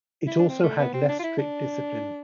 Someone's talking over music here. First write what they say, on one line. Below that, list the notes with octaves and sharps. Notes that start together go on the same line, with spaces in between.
It also had less strict discipline.
E4
D4
C4
A3
B3
C4
D4
F4
E4
D4